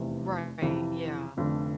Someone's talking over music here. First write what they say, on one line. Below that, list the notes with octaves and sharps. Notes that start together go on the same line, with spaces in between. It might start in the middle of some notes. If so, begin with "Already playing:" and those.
Right, yeah.
Already playing: F1 E2 C3
F2 C3 E3
F1 F2 D3